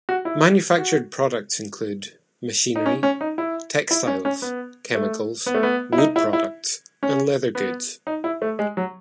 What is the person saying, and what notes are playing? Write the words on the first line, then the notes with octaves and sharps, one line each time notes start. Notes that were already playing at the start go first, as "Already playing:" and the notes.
Manufactured products include: machinery, textiles, chemicals, wood products, and leather goods.
F#4
E4
F#4
D#4
C#4
C#4
D#4
E4
E4
C#4
C#4
B3
A3
B3
A3
B3
E4
D#4
E4
E4
C#4
B3
D#4
E4
A3
G#3
F#3